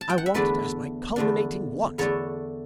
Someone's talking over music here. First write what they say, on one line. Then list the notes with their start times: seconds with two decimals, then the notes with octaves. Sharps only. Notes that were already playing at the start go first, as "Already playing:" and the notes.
I want it as my culminating want.
0.01 A5
0.10 G5
0.18 F#5
0.26 E5
0.34 E2 D3 A3 D4 B4 D5
1.16 E2 D3 A3 D4
1.98 E2 D3 A3 D4 A4 C#5